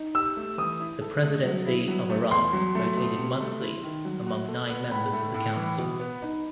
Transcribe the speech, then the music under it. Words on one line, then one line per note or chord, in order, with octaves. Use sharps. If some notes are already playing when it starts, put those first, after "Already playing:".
The presidency of Iraq rotated monthly among nine members of the council.
Already playing: D#4
G4 E6
A3
E3 D#6
E4
A4
A3
F#3
E4
F#3
A3
E2 C6
F#3
A3
B2
C3
A3
E4
D#3
F#3
F#4
A4
B3
A2 B5
A3
A2
E3
B2
B3
D#4